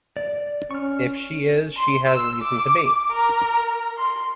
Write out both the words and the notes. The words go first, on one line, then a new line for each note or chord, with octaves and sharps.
If she is, she has reason to be.
D5
C#4 C#6 F6
C6
E6
D6
A#4
C6